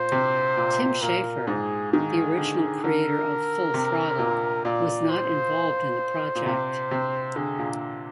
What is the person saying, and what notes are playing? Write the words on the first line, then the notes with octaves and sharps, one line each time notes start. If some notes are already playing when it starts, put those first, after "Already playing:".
Tim Schafer, the original creator of "Full Throttle", was not involved in the project.
Already playing: A#2 C5
C3
A#2
A#2 A#4
G#2 G#4
D#3 G#4
D3
D3 A#4
C3
A#2
A#2 D5
C5
A#2
C3
C3
D3 G#4
A#2